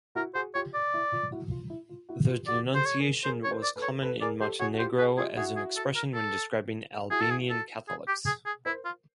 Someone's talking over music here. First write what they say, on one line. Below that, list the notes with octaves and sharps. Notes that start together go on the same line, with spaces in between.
The denunciation was common in Montenegro as an expression when describing Albanian Catholics.
E4 F#4 A#4
F#4 G#4 C5
F4 G4 C#5
D5
E4
F4
E4 F#4
F4
E4
F4
E4 F#4
F4 G4
F#4 G#4 D5
G4 A4 C5
C#5
G#4 A#4
G#4 A#4 C5
C#5
A#4 C5
D5
A4 B4
C#5
A4 B4
G#4 A#4 D5
G4 A4 C5
F#4 G#4 C#5
F#4
F4 G4 C5
F#4 G#4 B4
F4 G4 G#4
E4 F#4 G#4
G#4
A4
A#4
A4
E4 F#4 G#4
A4
G#4
A4
G#4
G4
G#4
G#4
E4 A#4 C5
F4